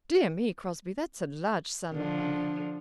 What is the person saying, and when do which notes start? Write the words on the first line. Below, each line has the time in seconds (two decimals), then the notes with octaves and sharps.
"Dear me, Crosbie; that's a large sum of money."
1.93 D3 F3